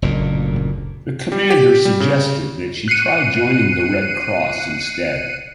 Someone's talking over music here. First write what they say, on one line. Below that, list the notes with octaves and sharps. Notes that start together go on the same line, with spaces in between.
The commander suggested that she try joining the Red Cross instead.
F#1 D2 A#2
G3
G4
G3
C#3
F#6 C7 C#7 D#7